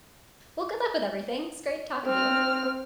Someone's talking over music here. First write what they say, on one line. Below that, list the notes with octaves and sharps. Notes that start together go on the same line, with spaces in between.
well, good luck with everything. It's great talking to you.
C4 F6